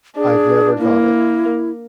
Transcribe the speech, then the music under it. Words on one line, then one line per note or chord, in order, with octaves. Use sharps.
I’ve never got it.
D4 G#4
A#3 E4